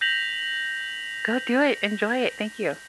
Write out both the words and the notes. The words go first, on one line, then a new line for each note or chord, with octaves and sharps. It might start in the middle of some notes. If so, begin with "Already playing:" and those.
Go do it, enjoy it, thank you.
G6 A#6 B6 F7 F#7